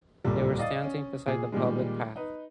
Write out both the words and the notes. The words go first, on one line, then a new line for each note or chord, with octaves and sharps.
They were standing beside the public path.
D1 C2 A#2 G3 A4
D5 D#5 F5 D#6 A6
C#4
A#2 G#4
A#2 D#3 G3 G#3
D#4 B4